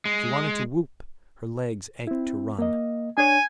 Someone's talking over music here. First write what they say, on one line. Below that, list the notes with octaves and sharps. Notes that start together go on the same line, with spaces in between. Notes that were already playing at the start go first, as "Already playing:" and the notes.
She wanted to whoop, her legs ached to run.
G#3
C4 E4
A#3 D#5
D4 C#5 G#5